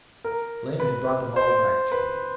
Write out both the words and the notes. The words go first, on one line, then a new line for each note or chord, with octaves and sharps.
Lena had brought them all back to me.
A#4
B4
C5
B4